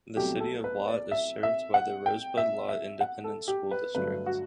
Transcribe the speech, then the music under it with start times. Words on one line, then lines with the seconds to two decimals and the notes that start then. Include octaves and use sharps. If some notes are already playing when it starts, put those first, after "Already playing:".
The City of Lott is served by the Rosebud-Lott Independent School District.
0.16 C2 B2 F#3 A3 G4
0.40 A4
0.64 B4
0.88 D5
1.11 E5
1.43 E5
1.74 F#5
2.06 G5
2.37 E5
2.69 E5
3.01 F#5
3.24 A4
3.48 G4
3.71 B4
3.95 G2 D3 F#3 A3 B4
4.26 F#4